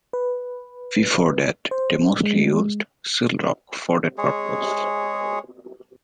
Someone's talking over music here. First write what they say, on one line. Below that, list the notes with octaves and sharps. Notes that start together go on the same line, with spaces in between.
Before that they mostly used Seal Rock for that purpose.
B4
C5
G#3
G#3 G#4 C#5